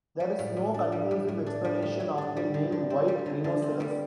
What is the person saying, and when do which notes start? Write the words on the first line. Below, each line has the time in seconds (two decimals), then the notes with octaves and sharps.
There is no conclusive explanation of the name white rhinoceros.
0.20 G3
0.39 A2
0.57 A2
0.74 D4
0.92 G3
1.11 A2
1.28 A2
1.46 D4
1.65 G3
1.82 A2
2.00 A2
2.18 D4
2.37 G3
2.54 D3
2.72 D3
2.90 C4
3.08 G3
3.26 D3
3.44 D3
3.62 C4
3.80 G3